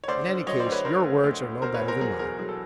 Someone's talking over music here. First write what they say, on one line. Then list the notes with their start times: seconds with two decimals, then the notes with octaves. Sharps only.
In any case, your words are no better than mine.
0.04 C#5
0.08 D2 C5 D5
0.27 D3
0.47 F#3 C#5 D#5
0.59 C5 D5
0.66 D2
0.72 B4 C#5
0.85 D3 A#4 C5
1.04 D2
1.24 D2
1.43 D2
1.62 B2 A#4 C5
1.74 B4 C#5
1.82 E2
1.88 A#4 C5
2.01 F#3 G#4 A#4
2.19 E2 G#4 A#4
2.39 F#3 G#4
2.49 A4